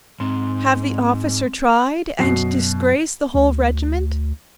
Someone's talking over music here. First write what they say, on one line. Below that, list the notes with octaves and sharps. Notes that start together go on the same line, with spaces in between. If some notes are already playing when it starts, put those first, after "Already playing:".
Have the officer tried and disgrace the whole regiment?
G#2 C4
F#2 B2 F#3 C7
D2